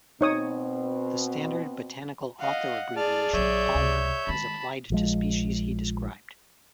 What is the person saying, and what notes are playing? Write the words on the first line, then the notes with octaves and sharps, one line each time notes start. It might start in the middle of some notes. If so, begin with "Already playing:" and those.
The standard botanical author abbreviation Palmer is applied to species he described.
B2 C4 D#4 C#5 D#6
D#5 F5 F#5
G#4 D5 A5 F6
A#1 F#3 C#5 E5 G6
C#2 C3
D#3 G#3 A5 B5
A#1 F3 G#3